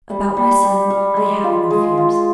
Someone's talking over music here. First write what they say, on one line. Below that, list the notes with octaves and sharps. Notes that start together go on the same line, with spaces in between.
About my son, I have no fears.
G3
G3
G3
G3
G#3
F4
G#3
F4